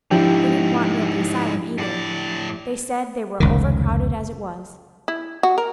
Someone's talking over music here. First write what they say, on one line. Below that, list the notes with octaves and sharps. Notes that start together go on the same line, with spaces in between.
They didn't want me at the asylum, either; they said they were over-crowded as it was.
G#2 D3 F3 D4 E4 G4 G5
A2 D5
F1 C#2 D#3
E4
F#4
A#4